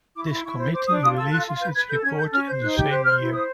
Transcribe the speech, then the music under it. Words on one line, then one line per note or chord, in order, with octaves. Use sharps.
This Committee released its report in the same year.
E4 D6
C#6
E4
C6
E4 C#6
C5
C5 D6
D4 D#6
F4 D#6
A4 E6
F4 F#6
F4
B4 G6
B4 G#6
A4 G6
C#4 G#6
A4 G6
C#4 F6
C5 G6
D#4 F#6
G4 G6
C5 F#6
C5 F6
E4
C5 D#6